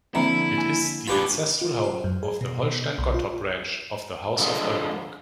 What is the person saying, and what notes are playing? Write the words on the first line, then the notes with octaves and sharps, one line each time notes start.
It is the ancestral home of the Holstein-Gottorp branch of the House of Oldenburg.
D3 F3 A#3 C4 E4 E5 A#5
G#5
D4 F4 G4 B4 B5
F4
C5
F#2
G#4
B2
B2
G6
B1
F4
D3 F3 G#3